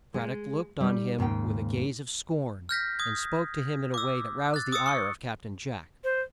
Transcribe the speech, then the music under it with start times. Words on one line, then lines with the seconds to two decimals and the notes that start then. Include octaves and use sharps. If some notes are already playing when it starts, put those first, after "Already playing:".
Brad-dock looked on him with a gaze of scorn, and spoke to him in a way that roused the ire of Cap-tain Jack.
0.14 G#3
0.81 G3 D#4
1.18 D#2 G#2 C#3 G5
2.69 F6 G6 A#6 B6
2.99 D#6 G#6
3.94 D6 E6
4.54 F#6 A6
4.72 D#6 E6 A6 C#7
4.86 C#6 C#7
6.04 C5